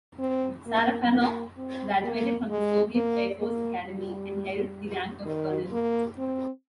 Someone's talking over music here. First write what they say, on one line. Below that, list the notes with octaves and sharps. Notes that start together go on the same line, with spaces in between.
Sarafanov graduated from the Soviet Air Force academy and held the rank of Colonel.
C4
A#3
A#3
C4
A#3
G#3
A#3
A#3
G3
D#3
A#3
C4